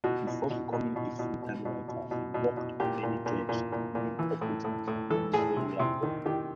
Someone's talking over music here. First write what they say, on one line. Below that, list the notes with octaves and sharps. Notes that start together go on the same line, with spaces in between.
Before becoming a full-time writer, he worked many jobs, including operating a nuclear reactor.
B2 F#4
B2
B2
B2
B2
B2
B2
B2
B2
B2
B2
B2
A#2 G4
A#2
A#2
A#2
A#2
A#2
E3
A2
A2
A2
E3 A4
A2 G#4
C3
C3
D#3
D#3 G4